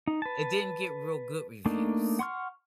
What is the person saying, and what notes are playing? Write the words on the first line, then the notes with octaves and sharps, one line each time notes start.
It didn't get real good reviews.
D#4
B4 A5
A3 A#3 D4 D#4
F#5 C6 C#6 F6